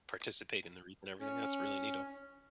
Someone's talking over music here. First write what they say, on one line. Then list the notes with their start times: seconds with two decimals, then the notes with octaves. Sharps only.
Participate in the wreath and everything, that's really neato.
1.20 C#4